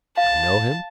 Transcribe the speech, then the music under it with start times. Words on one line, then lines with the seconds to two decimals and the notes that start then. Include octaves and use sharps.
"I know him?"
0.17 F5 A5